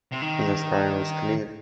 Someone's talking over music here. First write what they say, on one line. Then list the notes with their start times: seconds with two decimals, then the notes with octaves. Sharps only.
The sky was clear.
0.12 C3
0.22 D#3